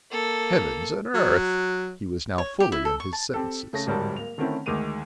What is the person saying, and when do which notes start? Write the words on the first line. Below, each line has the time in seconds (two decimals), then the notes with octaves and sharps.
"Heavens and earth!" He was now fully in his senses.
0.11 A#3 A4
1.14 F#3
2.38 C#5
2.60 G4
2.72 E4
2.85 A4
3.00 C#6
3.13 A5
3.34 C4 G4 A4
3.73 C#3 A3 C#5 A#6
3.87 D1 G#2 G3 A#4 C#5 A5
4.16 A#3 F7
4.38 D3 D#3 A3 C4 C#4 E4
4.66 D2 D#3 G#3 D6 D#7 F7